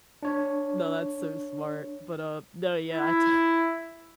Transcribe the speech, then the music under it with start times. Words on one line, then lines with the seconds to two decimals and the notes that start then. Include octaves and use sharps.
No, that's so smart, but, uh no, yeah, I t
0.23 D4 C#5
2.91 E4